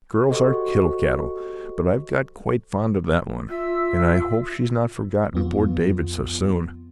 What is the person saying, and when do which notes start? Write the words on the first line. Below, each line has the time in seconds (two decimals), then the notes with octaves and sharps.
Girls are kittle cattle, but I've got quite fond of that one, and I hope she's not forgotten poor David so soon.
0.28 F#4 G4 A4 C5 D#5 C#6
3.49 F4 E5 E6
5.34 F2 B3 F4